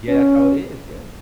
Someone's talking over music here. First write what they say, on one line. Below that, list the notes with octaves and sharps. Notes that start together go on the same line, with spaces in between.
Yeah, that's how it is. Yeah.
C#4